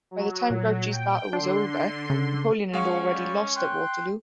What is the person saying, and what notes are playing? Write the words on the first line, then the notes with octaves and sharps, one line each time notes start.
By the time Grouchy's battle was over, Napoleon had already lost at Waterloo.
F#3
A#2
G5
D3 D4 C6
C#3
G#3 C#4 F5 F#5 C#6
G3
G5 C6 F#6